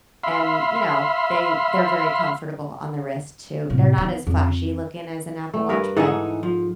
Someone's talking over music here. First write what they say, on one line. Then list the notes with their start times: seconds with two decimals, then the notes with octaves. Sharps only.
and, you know, they they're very comfortable on the wrist too. They're not as flashy looking as an Apple Watch, but,
0.24 E5 F5 B5 C6
3.70 A2 C3
3.98 D#3 B3
4.27 F2
5.54 A3
5.69 G2 A#4 B4
5.97 G#2 E3 D#4 G#4 A4 F#5
6.43 F3